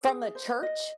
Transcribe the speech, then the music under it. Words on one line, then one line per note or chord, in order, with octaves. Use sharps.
From the church?
G#4
C5
D#5